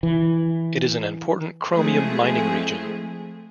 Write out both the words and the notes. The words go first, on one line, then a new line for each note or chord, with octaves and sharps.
It is an important chromium mining region.
E3
F3 G#3 A3 C4 E4 G#4